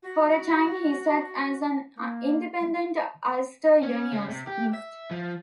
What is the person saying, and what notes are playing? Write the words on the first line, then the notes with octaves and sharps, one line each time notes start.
For a time he sat as an "Independent Ulster Unionist".
F#4
A#3
C#4
C#3
C3
G4
E5
F3